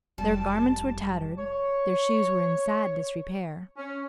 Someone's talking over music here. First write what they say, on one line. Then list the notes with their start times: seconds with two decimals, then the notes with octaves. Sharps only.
Their garments were tattered, their shoes were in sad disrepair.
0.18 F1 G3 A5
1.37 C#5
3.76 C#4